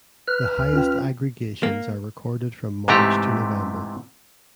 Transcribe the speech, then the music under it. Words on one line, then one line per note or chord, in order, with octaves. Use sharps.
The highest aggregations are recorded from March to November.
B4 F6
D2 G#5
C#4 F4 G5
A#3
G#2 C3 E3 A3 G4 A#5